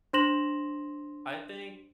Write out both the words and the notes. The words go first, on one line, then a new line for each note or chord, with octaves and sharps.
I think
D4 C5 C6 A#6 E7 F#7